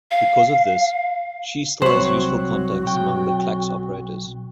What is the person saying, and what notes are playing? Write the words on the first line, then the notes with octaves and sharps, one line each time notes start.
Because of this, she still has useful contacts amongst the clacks operators.
F5
C2 F#3 C4 F#4 C5 C#5 B5
B1 G5